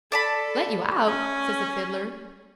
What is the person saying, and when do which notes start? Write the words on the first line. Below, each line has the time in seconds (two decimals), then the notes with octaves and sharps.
"Let you out?" says the Fiddler.
0.12 A4 D5 A5 B5
1.07 C#4